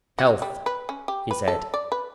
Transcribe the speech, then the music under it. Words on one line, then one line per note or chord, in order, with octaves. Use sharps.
"Health," he said.
F#4
G3
B4
C#4
G4
B4
A4
D5
B4